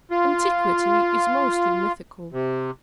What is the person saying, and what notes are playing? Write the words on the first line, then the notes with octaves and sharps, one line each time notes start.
Antiquity is mostly mythical.
F4
C3